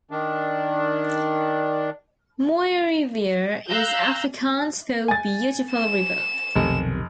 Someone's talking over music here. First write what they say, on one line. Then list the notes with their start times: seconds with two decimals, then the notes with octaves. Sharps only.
"Mooirivier" is Afrikaans for "beautiful river".
0.11 D#3 D4
3.70 F5 A#5 E6 F#6 G6
5.08 G#5 A6
5.71 E7
6.55 F1 B1 C3 D#3